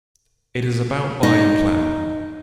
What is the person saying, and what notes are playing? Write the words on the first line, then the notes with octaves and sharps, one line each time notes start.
It is about by in plan.
D#4